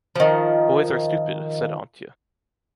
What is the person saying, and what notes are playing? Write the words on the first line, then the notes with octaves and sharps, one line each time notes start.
Boys are stupid, said Antje.
D#3 F3